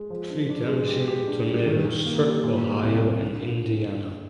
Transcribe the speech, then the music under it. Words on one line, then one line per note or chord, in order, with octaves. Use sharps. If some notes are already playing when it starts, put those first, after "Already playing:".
Three damaging tornadoes struck Ohio and Indiana.
Already playing: G#3
F3
D4
D4
G#3
G4
G4
D4
G3
D#3
D#3
A#3
G3
A#2
A#2
C2
C2
D3